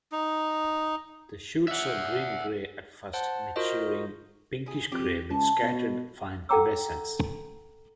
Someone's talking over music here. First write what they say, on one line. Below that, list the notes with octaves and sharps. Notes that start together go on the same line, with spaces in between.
The shoots are green-grey at first, maturing pinkish-grey, with scattered fine pubescence.
D#4
E5 F#5
C5 F#5 A5
F4 F#4 A#4 C5 D#5
E4 G#4
F2 G4
C#2 A5
B2
A4 F#5 G5 A#5 D6 E6